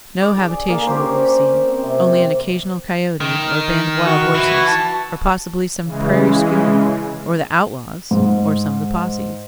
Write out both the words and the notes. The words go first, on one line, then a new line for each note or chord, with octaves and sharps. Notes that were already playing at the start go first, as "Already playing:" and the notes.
No habitation would we see; only an occasional coyote, or a band of wild horses, or possibly some prairie schooner, or the outlaws, or some of the posses.
D5
G#4
A#3 G#4
C#4 G4 A#4 C5
C4
C3
D#3
F#4 C#6
E3 E4
A5
C#3 E3 G#3
G#2